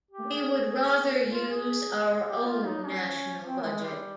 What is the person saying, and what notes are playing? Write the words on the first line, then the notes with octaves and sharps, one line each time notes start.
We would rather use our own national budget.
G4
G#4
G#4
F4
G#4
G4
F4
D#4
C#4
C4
G#3
G3